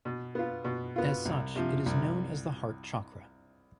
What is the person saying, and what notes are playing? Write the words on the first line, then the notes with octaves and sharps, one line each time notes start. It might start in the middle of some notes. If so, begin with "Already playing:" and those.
As such, it is known as the heart chakra.
B2
B3 F4
B2
B3 F4
C2
C3 F3
C2